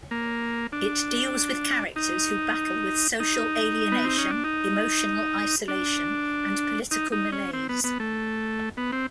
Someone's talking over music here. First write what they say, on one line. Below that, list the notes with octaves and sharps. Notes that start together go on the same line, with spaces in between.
It deals with characters who battle with social alienation, emotional isolation, and political malaise.
A#3
D4
D#4
D#4
B3
C4
C#4
D4
D#4
D4
D#4
D#4
C#4
C4
B3
B3
A3
B3
C4